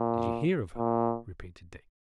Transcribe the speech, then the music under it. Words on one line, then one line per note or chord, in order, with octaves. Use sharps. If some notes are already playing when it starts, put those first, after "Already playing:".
"Did ye hear of her?" repeated Dick.
Already playing: A#2
A#2